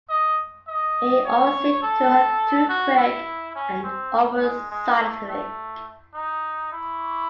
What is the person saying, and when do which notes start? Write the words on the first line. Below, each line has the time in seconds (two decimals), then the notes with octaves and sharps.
He always seemed to her too quick and almost scientific.
0.09 D#5
0.67 D#5
1.25 C#5
1.82 A4
2.69 F#4
2.97 E4
3.55 C#4
3.84 C4
4.41 G#3
4.70 G#3
4.99 A3
5.28 A3
6.14 D#4
6.72 E4